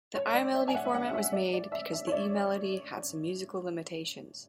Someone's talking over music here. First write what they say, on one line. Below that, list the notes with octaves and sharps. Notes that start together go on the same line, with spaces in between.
The iMelody format was made because the eMelody had some musical limitations.
C#5
C#5
D5
E5
G#5
F#5
E5
F#5
E5
D5
D5
E5
E5
C#5
D5